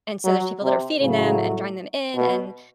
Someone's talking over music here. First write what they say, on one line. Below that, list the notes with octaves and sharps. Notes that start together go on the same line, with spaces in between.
and so, there's people that are feeding them and drawing them in, and,
F#3
C3
A2 C#3 F#3 A3
B2